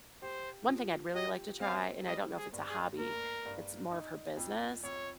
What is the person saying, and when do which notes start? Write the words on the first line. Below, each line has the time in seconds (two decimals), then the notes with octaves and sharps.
One thing I'd really like to try, and I don't know if it's a hobby, it's more of her business,
0.22 G4 C5
0.69 F3
1.15 G4 D#5
1.60 C4 F5
2.06 G3 D#5
2.37 G#4
2.53 G2
2.68 G#4
2.99 A#3 A#4
3.45 G2
3.91 D#4
4.37 F2
4.84 F2 C#5